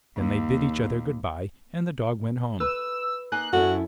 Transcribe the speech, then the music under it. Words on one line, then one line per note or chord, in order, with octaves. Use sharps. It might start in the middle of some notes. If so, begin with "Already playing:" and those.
Then they bid each other good-by and the Dog went home.
D#2
B4 E6
A#3 D#4 G#5 F#6
F#2 C#4 E4 F#4 A4